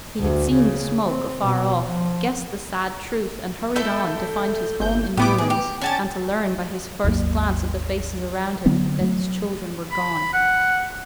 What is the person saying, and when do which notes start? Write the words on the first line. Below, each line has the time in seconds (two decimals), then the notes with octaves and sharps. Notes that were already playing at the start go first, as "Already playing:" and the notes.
He had seen the smoke afar off, guessed the sad truth, and hurried on, to find his home in ruins, and to learn by his first glance at the faces around him that his children were gone.
0.20 D2
0.53 C#3
1.07 C4
1.41 B2
1.88 F3
3.76 A3 E4 A4 G6
4.80 G1 G6
5.17 A2 B3 E4 G4 D6
5.38 G#4
5.50 G4
5.81 C#4 F#4 G4 G#5 A5 A6
7.04 G#1 D#2 F#3 A#3
8.66 D3 F#3 B3 C4
9.01 F#3 A3
9.92 B5
10.33 F#5